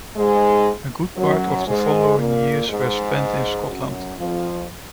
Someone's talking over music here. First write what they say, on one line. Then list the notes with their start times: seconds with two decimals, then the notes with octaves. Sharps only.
A good part of the following years were spent in Scotland.
0.16 G#2 G#3
1.16 F#2 F#3
1.67 G#2 G#3
2.17 A#2 A#3
2.67 G#2 G#3
3.67 F#2 F#3
4.18 F2 F3